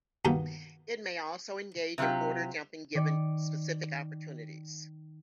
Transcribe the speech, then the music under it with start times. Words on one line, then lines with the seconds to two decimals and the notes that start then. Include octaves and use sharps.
It may also engage in border jumping given specific opportunities.
0.25 B1 G2 B2 D#3 A#3 G4
1.98 C3 F#3 D#4 F4 G4
2.95 D#3 D5 C#7